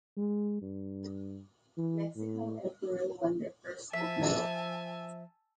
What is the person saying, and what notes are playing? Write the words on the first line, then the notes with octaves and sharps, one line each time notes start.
Mexico and Peru won their first gold medal.
G#3
G2
E3
A2
F3 E5 G#5 A5